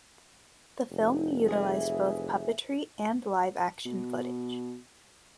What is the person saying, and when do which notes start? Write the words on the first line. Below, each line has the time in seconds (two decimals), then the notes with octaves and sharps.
The film utilized both puppetry and live-action footage.
0.90 F1
1.48 E3 G#4
3.86 B2